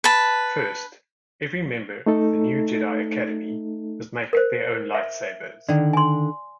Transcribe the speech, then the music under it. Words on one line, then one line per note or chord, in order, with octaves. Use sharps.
First, every member of the New Jedi Academy must make their own lightsabers.
B4 A5
A3 D#4 A4
A#4 C5
E5
D3 D#3 D5
G#5 C6